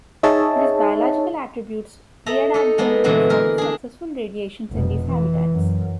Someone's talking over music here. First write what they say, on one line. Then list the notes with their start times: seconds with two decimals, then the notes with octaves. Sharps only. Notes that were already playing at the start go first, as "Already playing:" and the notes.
These biological attributes preadapt them to form successful radiations in these habitats.
0.23 D#4 G#4 C#5 D#5 E5 A5
2.26 A4 D#5 E5 A#5
2.54 D#4 A4
2.78 G#3 A#3 B3 A4
3.04 A#2 D3 E3 F#3 G#3 B3
3.29 G#4 A#4 B4
3.58 D4 G#4
4.71 F1 B2
5.06 E3
5.53 F#2